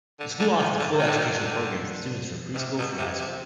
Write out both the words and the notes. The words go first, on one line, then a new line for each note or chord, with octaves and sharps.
The school offers a full educational program for students from preschool through high school.
D3
D3
D#3
D3
D#3
D3
D#3
D3
B2
C3
B2
C3
C3